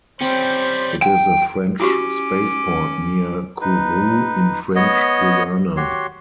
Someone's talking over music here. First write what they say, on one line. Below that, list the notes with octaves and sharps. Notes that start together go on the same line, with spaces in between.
It is a French spaceport near Kourou in French Guiana.
G3 C4 C#4 C5
G5
C#4 E4 F#4 G4 D6
D#4 B4
B3 C#5 D#5
F#4 G4 C#5 C6